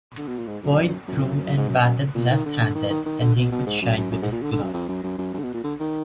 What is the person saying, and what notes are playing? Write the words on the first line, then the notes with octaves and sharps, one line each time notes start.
Boyd threw and batted left-handed, and he could shine with his glove.
D3
B2
A#2
G#2
F#2
F#2
F2
F#2
G#2
F#2
F#2
A#2
D#3
D3
D3
D#3
D#3
D#3
D3
B2
B2
G#2
F#2
F#2
F#2
G#2
A#2
D3
D3
F#2
F2
F#2
F#2
F#2
F#2
D3
B2
A#2
D3
D#3